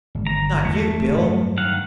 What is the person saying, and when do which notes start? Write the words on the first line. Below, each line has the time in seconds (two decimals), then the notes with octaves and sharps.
Not you, Bill!
0.15 G#1
0.27 G1 A#5
0.65 E2 A3
1.16 G2 F#3
1.57 D#3 F5 F#5